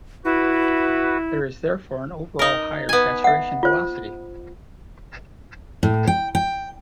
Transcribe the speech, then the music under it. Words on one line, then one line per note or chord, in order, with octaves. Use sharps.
There is therefore an overall higher saturation velocity.
E4 F#4 B4
D#4 A#4
B3 G#5
E5 F#5
F4 C5
A2
G5
G5